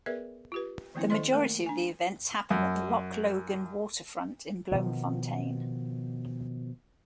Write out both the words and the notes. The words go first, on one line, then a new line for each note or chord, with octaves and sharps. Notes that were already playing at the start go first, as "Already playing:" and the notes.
The majority of the events happen at the Loch Logan Waterfront in Bloemfontein.
B3 G#4 A#4 B4 D5 E5
F4 G4 B4
D#3 F3 A#3 B3 C#4 E4
D#3 A4 C5 D5 D#5 C6
A3 A#3 A#4
D4 G#5
F#2
B2 D#3 F3